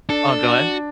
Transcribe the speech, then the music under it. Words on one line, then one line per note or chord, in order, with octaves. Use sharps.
Oh, go ahead.
D4 A4
D4 F#4